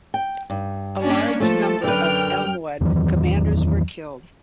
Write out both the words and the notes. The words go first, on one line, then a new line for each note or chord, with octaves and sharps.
A large number of Almohad commanders were killed.
G5
G2
A#3 C#4 D4
F3 A3 A4
F#2 D3 B4 G5 F6
E2 D#3 E3 F#3